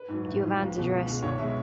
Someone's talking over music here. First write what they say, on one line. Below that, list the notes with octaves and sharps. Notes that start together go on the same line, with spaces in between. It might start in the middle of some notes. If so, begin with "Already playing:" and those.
Do you have Anne's address?
Already playing: B4
G#2 F#3
A1
G#2 F#3
C#2
B2 G#3
C#2
B2 G#3
B1 C#5
B2 G#3 E5